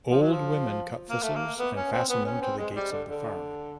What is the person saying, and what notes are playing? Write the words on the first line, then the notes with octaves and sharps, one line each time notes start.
Old women cut thistles and fasten them to the gates of the farm.
F3
F#3
F3
A#3
A3
A#3
B3
C#4
C4
B3
C#4
C4
G#3
G3
D3
D3